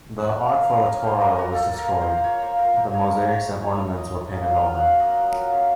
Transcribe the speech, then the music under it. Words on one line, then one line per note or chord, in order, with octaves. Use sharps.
The ark for the torah was destroyed; the mosaics and ornaments were painted over.
C#4 F#5
A#3
F5
A#3
F5
F4
C#4 D#5
A#3 C5
A#3 A#4
F4 F#4
F4 A4
A#3
A#4
F4
C5
A#3
F4 C#5
A#3 C5
F4 A#4
A#3 C5
D#4 C#5
A3
D#4 C#5
A3 C5
D#4 C#5
A3
D#4 D#5
A3
A#3 D#5
F#3
F5
F4
F5
F#5
C#4
A#3 D#5
F#3
F4
C#4